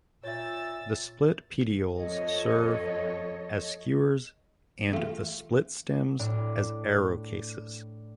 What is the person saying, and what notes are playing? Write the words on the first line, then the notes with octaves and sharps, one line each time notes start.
The split petioles serve as skewers and the split stems as arrow cases.
A#2 C#5 E5 E6 A6
F2 A4 C#5 D#5
A3 F4
A2 D4